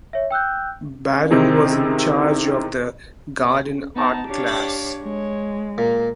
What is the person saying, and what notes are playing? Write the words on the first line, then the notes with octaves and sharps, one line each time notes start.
Baron was in charge of the "Garden Art Class".
C#5 E5
G5 E6 F#6 G6
C3 D#3 C4 D#4 E4 G#4
B3 D#4 A5
D4 G4 C#5 F5
G#3 C#5
A#2 A#3